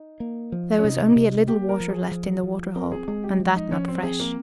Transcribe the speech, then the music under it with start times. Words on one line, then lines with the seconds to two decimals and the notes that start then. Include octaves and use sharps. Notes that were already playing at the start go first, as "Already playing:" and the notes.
There was only a little water left in the water-hole, and that not fresh.
Already playing: D#4
0.20 A#3
0.52 F3
0.78 C#4
0.84 C3 D#4
1.16 C3
1.47 A#3 G4
1.69 A#4
1.80 F3
1.91 G#4
2.12 F3
2.43 F3
2.76 C4 A#4
2.92 G#4
3.08 G#3 G#4
3.24 G4
3.40 F3
3.55 D#4
3.71 F3 C#4
3.88 C4
4.03 C4 G#4
4.20 A#3